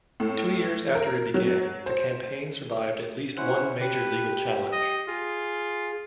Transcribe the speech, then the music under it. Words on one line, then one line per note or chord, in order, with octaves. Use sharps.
Two years after it began, the campaign survived at least one major legal challenge.
A2
A#4
F#3
C5
C#4 E4 C5 F#5
G4 B4
D#5
F4 G#4